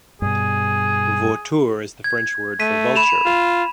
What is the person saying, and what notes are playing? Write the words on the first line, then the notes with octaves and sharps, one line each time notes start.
"Vautour" is the French word for vulture.
G2 B2 G#4
G#6
A3 B6 D#7
B5 E7 F7
F4